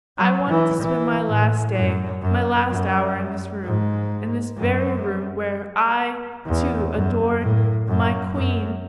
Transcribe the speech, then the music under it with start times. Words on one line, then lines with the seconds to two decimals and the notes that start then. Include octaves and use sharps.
I wanted to spend my last day, my last hour in this room, in this very room ... where I, too, adored ... my queen....
0.18 F#3
0.49 E3
0.80 E3
1.28 A2
1.75 F#2
2.22 F#2
2.69 F#2
3.63 G#2
4.57 F#2
6.46 E2
6.93 F#2
7.40 A2
7.88 F#2
8.35 F#2